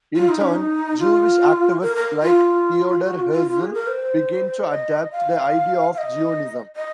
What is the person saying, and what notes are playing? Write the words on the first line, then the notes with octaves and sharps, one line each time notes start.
In turn, Jewish activists like Theodor Herzl began to adopt the idea of Zionism.
F4
D#4
C#4
D#4
F4
A#4
A#4
F4
F#4
F4
F4
F4
G#4
A#4
C5
D#5
F5
F5
D#5
D#5